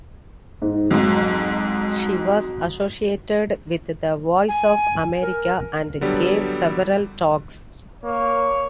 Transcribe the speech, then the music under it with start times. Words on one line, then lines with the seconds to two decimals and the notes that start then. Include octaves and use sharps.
She was associated with the 'Voice of America' and gave several talks.
0.62 G#2
0.91 F2 G#2 F#3
4.48 G#5
5.22 A#4
6.01 D3 F#3 G3 B3 G4
8.03 A#3 C#5